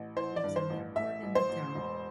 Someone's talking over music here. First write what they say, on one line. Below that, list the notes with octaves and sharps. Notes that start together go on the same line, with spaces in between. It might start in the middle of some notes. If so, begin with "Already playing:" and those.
There is an airport in the town.
Already playing: A1
E3 C5
D5
G2
C5
A1
A1 E5
A1
C5
A1
E1